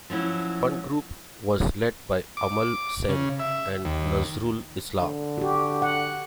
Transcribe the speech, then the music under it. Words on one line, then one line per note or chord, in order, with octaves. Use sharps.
One group was led by Amal Sen and Nazrul Islam.
F3 F#3 C#4 E4
D6
C#3
E5
D#2
D3
F#4 G4
F#5